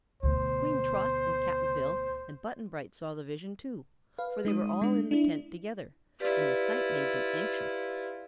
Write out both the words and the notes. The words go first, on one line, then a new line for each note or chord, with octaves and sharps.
Queen Trot and Cap'n Bill and Button-Bright saw the vision, too, for they were all in the tent together, and the sight made them anxious.
D2 B2 C5
B4 F5
G#3 D#4 D#6
G#3 D4
D4 E4
E4 F4 G4 B4 D5